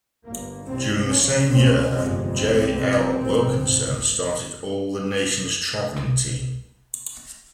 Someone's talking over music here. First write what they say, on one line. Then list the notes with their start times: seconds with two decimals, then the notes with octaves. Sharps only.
During the same year, J. L. Wilkinson started the All Nations traveling team.
0.25 G1 G2 A#3
0.67 C2 C3 C4
1.09 A#1 A#2 C#4
1.51 C#2 C#3 C4
1.93 G1 F2 C3 G#3
2.35 C2 C3 C4
2.76 F1 F2 C3 C4
3.19 A#1 G#2
3.60 G#1 G#2